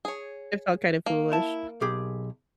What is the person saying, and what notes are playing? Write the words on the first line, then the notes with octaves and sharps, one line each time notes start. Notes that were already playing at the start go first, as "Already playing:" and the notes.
It felt kind of foolish.
G#4 C#5
A#3
E4 A5
B1 G4 G#4